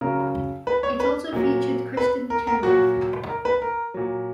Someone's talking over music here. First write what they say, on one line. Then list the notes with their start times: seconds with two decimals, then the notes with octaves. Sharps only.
It also featured Kristin Chenoweth.
0.01 C#3 F#3 A#4
0.67 B4
0.83 C#5
1.00 B4
1.32 A#2 F#3
1.97 B4
2.30 A#4
2.47 A#4
2.63 A#2 F#3 F#4
3.29 A#4
3.45 B4
3.62 A#4
3.94 A#2 F#3